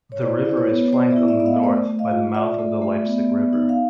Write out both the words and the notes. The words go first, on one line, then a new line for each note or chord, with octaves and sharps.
The river is flanked on the north by the mouth of the Leipsic River.
C#5
E4 C5 D5
E4
C5
B4 C#5
B3
B3 C5 D5
D5 E5
E4
D5 E5
B3 E5
D#5 F5
A3 C5 D5
A3
D#5 F5
F4
F4 D5 E5
A3
A3
B3
B3
D#4
F5